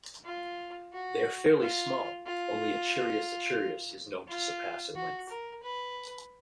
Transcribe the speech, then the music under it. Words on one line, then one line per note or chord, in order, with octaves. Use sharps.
They are fairly small; only "Achirus achirus" is known to surpass in length.
F4
F#4
F4
F4
F4
F#4
A#4
B4